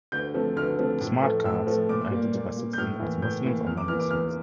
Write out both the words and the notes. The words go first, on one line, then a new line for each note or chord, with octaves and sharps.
Smart Cards identify citizens as Muslims or Non-Muslims.
D2 G6
C3 F3 A3
D2 F6
C3 F3 A3
A2
F3 A3
A2 E6
F3 A3
A#2 D6
G3 A#3
A#2
G3 A#3
G6
A2 F6
E3 A#3
A2 G6
E3 A#3
E2 F6
D6
E3 A#3 F6
D6
E2 F6